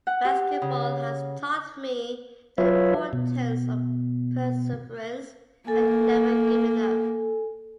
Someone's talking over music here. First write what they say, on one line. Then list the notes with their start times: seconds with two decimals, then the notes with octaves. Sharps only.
Basketball has taught me the importance of perseverance and never giving up.
0.07 F#5
0.25 G4
0.62 C#3
2.58 F#3 F4 B4 C#5 E5
3.13 B2
5.67 A#3 A4 G#5